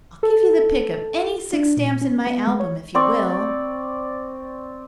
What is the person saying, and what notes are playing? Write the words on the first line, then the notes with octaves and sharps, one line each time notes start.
"I'll give you the pick of any six stamps in my album if you will."
A4
D4
A#2
C#4
B3
G#3
C#5
C4 D5 C#6